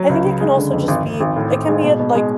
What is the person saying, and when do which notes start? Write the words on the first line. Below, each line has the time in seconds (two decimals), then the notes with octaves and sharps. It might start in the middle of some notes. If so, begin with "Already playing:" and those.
I think it can also just be it can be a, like,
Already playing: F#3
0.09 C#2
0.25 C#3
0.40 G#3
0.57 D3
0.73 F2
0.88 G#1
1.04 G#1
1.21 G#1
1.36 A2
1.52 A2
1.68 G#3
1.84 B2
1.99 B2
2.15 G#3